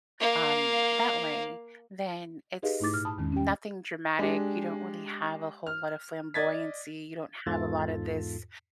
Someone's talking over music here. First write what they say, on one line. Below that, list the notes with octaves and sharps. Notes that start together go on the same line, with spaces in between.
um, that way, then it's nothing dramatic. You don't really have a whole lot of flamboyancy. You don't have a lot of this
A#3 F5
D#4 G4 G#4 B4 D#5 F5
G#2 A3 D#4 E4 D6 A6
A#2 F6
A5 B5 D#6
E2 D#3 G#3 C#4
C#4 G5
G#3 D4 G4
F6
D5 D#5 G#6 A6 B6
E2 G#2 F4 A4 A6